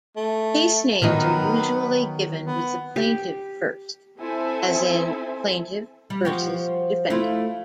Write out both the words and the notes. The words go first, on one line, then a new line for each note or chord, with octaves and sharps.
Case names are usually given with the plaintiff first, as in "Plaintiff versus Defendant".
A3
D#3 F#3 B3 D#4
B3
G4
C4 E4 A4 C5 E5 G#5
G3
F3 F#4 G4
A3 E4 F4